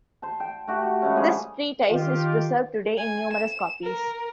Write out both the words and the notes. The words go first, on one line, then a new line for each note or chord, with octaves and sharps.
This treatise is preserved today in numerous copies.
C5 A5
G5
A3 F#4 G4
F#4
C#3 G#3 A3 C#4
D3 F3 G3 G#4
D#3 F4 G4
G#5
E7
A#4